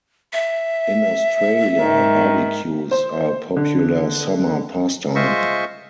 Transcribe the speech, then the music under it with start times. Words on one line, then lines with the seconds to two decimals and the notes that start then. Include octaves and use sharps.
In Australia, barbecues are a popular summer pastime.
0.33 E5
1.78 G#2 D#3
2.91 C5
3.56 D3
5.15 G#3 F4 C5 D#5 E5 C#6